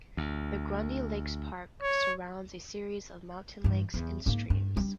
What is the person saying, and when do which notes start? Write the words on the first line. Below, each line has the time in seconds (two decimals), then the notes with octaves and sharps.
The Grundy Lakes Park surrounds a series of mountain lakes and streams.
0.17 D2
1.82 C#5
3.64 G2 E3
3.94 E2
4.26 G#2 A#3
4.50 G2
4.77 G3 D4